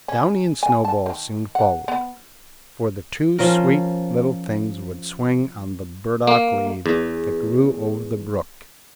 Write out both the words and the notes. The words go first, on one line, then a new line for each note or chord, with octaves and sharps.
Downy and Snowball soon followed; for the two sweet little things would swing on the burdock-leaves that grew over the brook.
C#4
G#5
A5
D#3
F#5
B3
F3 C#4 A#4
A#3
E2